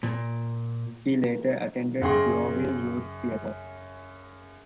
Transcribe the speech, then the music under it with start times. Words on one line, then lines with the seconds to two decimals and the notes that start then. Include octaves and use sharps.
She later attended Yeovil Youth Theatre.
0.03 A#2
2.02 F#2 C#3 G#4 G5 C6 A#6